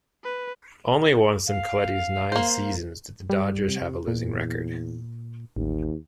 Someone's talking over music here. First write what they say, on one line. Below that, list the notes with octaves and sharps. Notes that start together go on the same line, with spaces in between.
Only once in Colletti's nine seasons did the Dodgers have a losing record.
B4
F5
A#3 C5
G3
C3
E2 A#2
A1 D#2